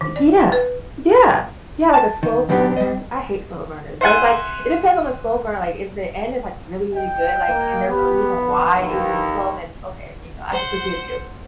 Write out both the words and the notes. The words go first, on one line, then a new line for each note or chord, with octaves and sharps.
Yeah. Yeah. Yeah, like a slow burner. I hate slow burners, but it's like, it depends on the slow burn, like, if the end is, like, really, really good, like, and there's a reason why it was slow, then okay, you know, I can forgive you.
D#3
D5
B4
A5
D#3
A#2 D#3 F#3 B3 D4 G4
G3 D#5
C5 E5 F#5 G#5
D#5 G5
A#3
B3 G4
D3 E3 F3
D#2
C5 F#5